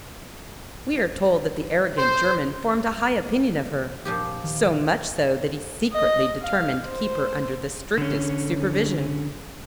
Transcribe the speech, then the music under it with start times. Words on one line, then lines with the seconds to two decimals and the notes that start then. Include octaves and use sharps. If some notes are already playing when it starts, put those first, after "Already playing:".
We are told that the arrogant German formed a high opinion of her--so much so that he secretly determined to keep her under the strictest supervision!
1.97 C5
4.05 A#2 F3 G4
4.44 D#3
5.93 D#5
6.43 F5
6.86 C5
7.98 D3 C#4